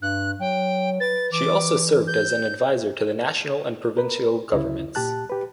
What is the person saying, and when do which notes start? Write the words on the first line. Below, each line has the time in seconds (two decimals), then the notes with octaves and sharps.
She also served as an advisor to the national and provincial governments.
0.02 G2 F#6
0.40 F#3 G5
1.00 B4 A6
1.32 E3 D6
2.07 G6
3.97 A#4 B4
4.53 D2 C#3 E4
4.95 A#2 G4 A5 F#6
5.30 G4 B4